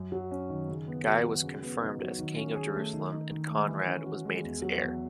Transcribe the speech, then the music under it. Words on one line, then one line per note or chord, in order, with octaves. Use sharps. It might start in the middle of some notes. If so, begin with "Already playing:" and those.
Guy was confirmed as king of Jerusalem, and Conrad was made his heir.
Already playing: F#2
F#3
C#4
D#3
C#3
B3
F#4
F#3
C#3
B3
D#4
F#3
D#3
C#4
G#4
A3
D#3
D#4
D#3
A3
E3
C#4
F#4
G#3
E2
F#3
E2